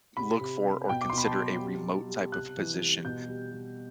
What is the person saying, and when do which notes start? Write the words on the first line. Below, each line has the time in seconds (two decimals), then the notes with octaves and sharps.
look for or consider a remote type of position.
0.17 C3 B5
0.41 C3
0.65 C3
0.89 B2 G5
1.01 D6
1.10 C6
1.13 B2 B5
1.25 A5
1.37 F#3
1.61 G3
1.84 G3
2.09 G3
2.32 C3 F#6
2.57 E3
2.80 G3
3.05 B2 G6
3.28 G3
3.52 G3